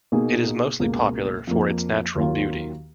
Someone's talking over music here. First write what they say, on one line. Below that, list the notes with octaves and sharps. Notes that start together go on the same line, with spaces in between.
It is mostly popular for its natural beauty.
B2 A#3 D#4 G#4
C#2 B2 A#3
F2 F3 A#3
D#2 D#3 F#3 A#3 F4